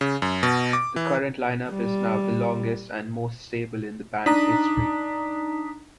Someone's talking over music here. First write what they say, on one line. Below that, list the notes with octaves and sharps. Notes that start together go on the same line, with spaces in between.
The current lineup is now the longest and most stable in the band's history.
C#3
F#2
B2
D6
E3
G3
D4 D#4 A#5 D#6 B6